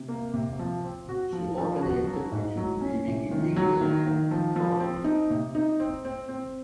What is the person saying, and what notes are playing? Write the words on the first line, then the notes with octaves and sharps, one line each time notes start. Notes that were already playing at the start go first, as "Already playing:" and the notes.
She alternated between living in England and Victoria.
Already playing: C3
A#3
C3
F3
C4
F#4
F3
F3
F#4
F#3
G#2
F#3
C#4
C3
D#3
F#3
D#3
D#3
F3
F3
C4
D#4
C3
D#4
C4
C4
C4